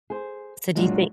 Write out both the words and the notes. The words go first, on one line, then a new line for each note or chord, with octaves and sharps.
So, do you think
G#4 C5
A#2 F#3 G#3 D4 F4 F#4